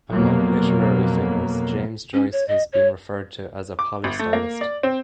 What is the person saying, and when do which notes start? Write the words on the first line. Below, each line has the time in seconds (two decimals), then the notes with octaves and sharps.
Among literary figures, James Joyce has been referred to as a polystylist.
0.11 F2 B2 F#3 A#3
2.14 C#4
2.32 C#5
2.48 D#5
2.73 C#5
3.79 D6
4.04 G1
4.19 A3
4.33 A#3
4.61 D5
4.83 C4